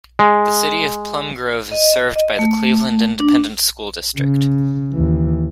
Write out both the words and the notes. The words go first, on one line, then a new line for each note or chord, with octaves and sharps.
The City of Plum Grove is served by the Cleveland Independent School District.
G#3
D#5
D#5
A3
D4
C#3
D#2 E3